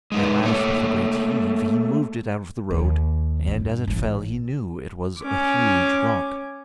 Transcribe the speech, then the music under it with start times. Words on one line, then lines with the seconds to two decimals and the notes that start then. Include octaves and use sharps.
At last with a great heave he moved it out of the road, and as it fell he knew it was a huge rock.
0.12 G#3 D#4 B4
0.43 A3 A#3 C#5
2.71 D#2
3.48 G2
3.87 A1
5.20 C#4 D6